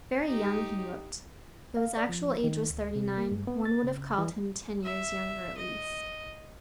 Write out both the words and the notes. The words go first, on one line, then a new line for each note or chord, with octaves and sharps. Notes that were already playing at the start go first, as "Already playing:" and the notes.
Very young he looked: though his actual age was thirty-nine, one would have called him ten years younger, at least.
D#4 G4
F5
D5
F3
D#3
D2
C3
A#3
G2
B3
A6
C#3
E3
E5
D#5